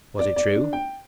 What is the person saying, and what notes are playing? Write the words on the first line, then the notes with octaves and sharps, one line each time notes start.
"Was it true?"
D5
D5
D4
G5